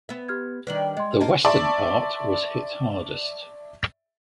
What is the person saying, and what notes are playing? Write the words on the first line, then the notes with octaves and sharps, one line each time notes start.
The Western part was hit hardest.
B3 E5
G4 F6 G#6
D#3 G3 D4 B4 F#7
G#3 D#5 C6
D2 A#3 F4 D5 D#5 A5
D5 E5 A5 C6 C#6